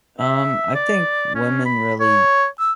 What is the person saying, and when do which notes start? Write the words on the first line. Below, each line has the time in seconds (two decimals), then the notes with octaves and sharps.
Um, I think women really
0.20 E5
0.75 D5
1.35 C#4
1.66 B5
2.00 C#5
2.59 E6